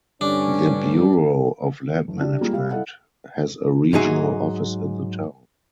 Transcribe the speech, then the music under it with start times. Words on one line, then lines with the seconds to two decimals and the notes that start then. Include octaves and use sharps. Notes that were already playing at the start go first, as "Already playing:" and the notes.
The Bureau of Land Management has a regional office in the town.
0.21 G2 D3 G3 C#4 D4
2.08 F#1
2.21 D4 G4
2.41 G3 G#3 A#3 F4
2.53 G3 F5
2.71 E4 A4 D#5 F5 F#5
3.93 G#2 F#3 D#4 G#4 E5